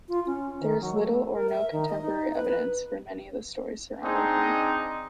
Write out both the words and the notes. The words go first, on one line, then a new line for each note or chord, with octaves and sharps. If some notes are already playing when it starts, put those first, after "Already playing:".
There is little or no contemporary evidence for many of the stories surrounding him.
F4
C#4
D#3
F#3
A3
A#4
E5
D#3
D#5
D#4
B4
B4
C4 D4 D#4 G#4